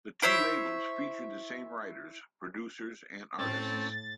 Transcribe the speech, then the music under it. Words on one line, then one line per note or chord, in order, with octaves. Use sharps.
The two labels featured the same writers, producers and artists.
E4 C5 C#5 E5
A2 A3 C4 C#4 A6